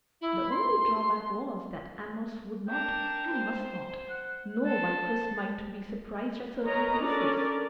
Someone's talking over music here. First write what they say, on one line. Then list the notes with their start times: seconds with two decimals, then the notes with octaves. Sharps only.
The only drawback was that Amos would not, and must not, know why Chris might be surprised at certain places.
0.21 E4
0.50 C6
2.69 D4 A#4 G5
3.33 C5
4.10 F#5
4.65 A4 C5 A5
6.65 A#4 B4 C#5 D#5 A#5
7.01 C#4 D4 A4 A#4 D5